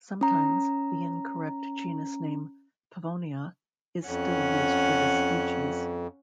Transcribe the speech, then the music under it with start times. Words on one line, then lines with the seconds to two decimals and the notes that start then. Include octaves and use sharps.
Sometimes, the incorrect genus name "Pavonia" is still used for this species.
0.21 C#4 A#5
4.06 F2 C#4 F#5